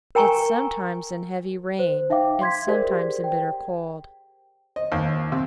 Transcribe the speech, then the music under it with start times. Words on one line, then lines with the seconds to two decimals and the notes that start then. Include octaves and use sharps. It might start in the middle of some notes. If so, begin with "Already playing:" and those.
'It's sometimes in heavy rain, and sometimes in bitter cold.
0.15 A#4 G5 G#5 A#5 C#6
1.79 C5
2.10 D#4 E5 F5 G5 D6
2.41 C6 G#6 B6
2.68 G4 G#4 A#4 C5 D5
3.24 G5
4.76 D#5
4.92 D#2
5.32 C3